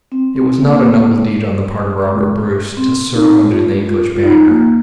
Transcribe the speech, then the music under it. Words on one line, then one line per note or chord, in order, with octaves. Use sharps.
It was not a noble deed on the part of Robert Bruce to serve under the English banner.
C4
C4
A#3
G#3
C4
D#4
F4
F4
F4
D#4
A#3